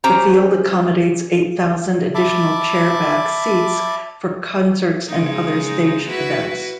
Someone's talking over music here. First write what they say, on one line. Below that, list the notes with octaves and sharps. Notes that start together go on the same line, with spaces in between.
The field accommodates eight thousand additional chairback seats for concerts and other stage events.
C#4 G4 C5 A#5
E5 A5 B5 D6
C#3 G#3 D#4
E4 F#4 B4